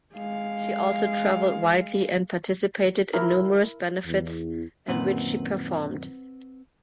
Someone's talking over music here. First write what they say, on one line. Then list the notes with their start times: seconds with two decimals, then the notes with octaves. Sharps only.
She also traveled widely and participated in numerous benefits, at which she performed.
0.15 G#3 F5
3.14 E4 A#4
4.05 E2
4.88 F#2 A#2 D#3 C4 B4 F#5